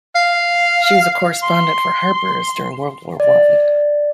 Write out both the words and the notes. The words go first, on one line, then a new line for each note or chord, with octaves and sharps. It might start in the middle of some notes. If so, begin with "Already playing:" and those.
She was a correspondent for "Harper's" during World War One.
F5
C6
D5